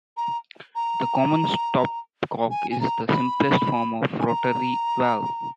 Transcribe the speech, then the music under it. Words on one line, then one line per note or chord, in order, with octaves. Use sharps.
The common stopcock is the simplest form of rotary valve.
A#5
A#5
G#5
G#5
A#5
B5
G#5
A#5